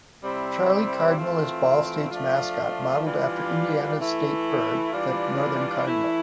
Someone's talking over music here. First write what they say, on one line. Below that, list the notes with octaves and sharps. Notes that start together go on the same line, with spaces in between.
Charlie Cardinal is Ball State's mascot, modeled after Indiana's state bird, the northern cardinal.
C3 G3 C4 E4
E3 A3 C4 F4
F3 A3 D4 F4
E3 G3 D4 F4
E3 A3 E4
E3 G3 D4 F4
E3 A3 E4